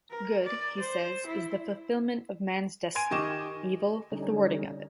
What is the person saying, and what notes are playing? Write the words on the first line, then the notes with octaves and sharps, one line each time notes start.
Good, he says, is the fulfilment of man's destiny, evil the thwarting of it.
A#4
D5
C5
E4
G#5 C6 G#6 D7 D#7
D#3 G4 D#5 C#6 D6 E7
D3 G3 C#4 D#4